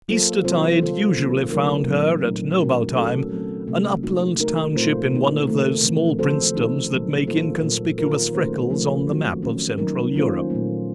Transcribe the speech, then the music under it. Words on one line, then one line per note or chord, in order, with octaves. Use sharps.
Eastertide usually found her at Knobaltheim, an upland township in one of those small princedoms that make inconspicuous freckles on the map of Central Europe.
F#3 A#3 F4 A4 C5
C3 F#3 C4 F4 C5
A#3 F4 A4 C5
C3 D#3 A#3 C#4
F#3 A3 D#4 A#4
A#2 F#3 C4
A#2 A3 D#4
D#3 A3 C#4 F#4 A#4
F#3 A3 C#4 F#4 A4
F#3 A3 C4
C3 F#3 A3
A#3 D#4 F#4
A3 D#4 A#4
A#2 A3 C4 F4 C5
D#3 A#3 D#4
C3 D#3 A3
C#3 F3 A3 C4
F3 C4 F#4 A4 C5
D#3 A3 D#4 F#4
A#2 F#3 A#3
A#3 F4 A4 C5
A#2 F#3 A#3 F4 A#4
D#3 A#3 F4 A#4
D#3 A3 C#4 F#4 C5
F3 A3 C#4 F4 A#4
D#3 F#3 C4 F#4
D#3 A3 C#4
D#3 F#3 A#3 D#4 A#4
D#3 A#3 C#4 F4 C5
A#2 F#3 A3